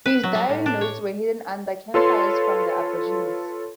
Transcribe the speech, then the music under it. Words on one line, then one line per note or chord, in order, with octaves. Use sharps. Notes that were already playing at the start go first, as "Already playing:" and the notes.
His diary's notes were hidden under camp fires from the Aborigines.
B4
F#3
G3
A2
D4
C#5
F4 A4 B4 C#5 C6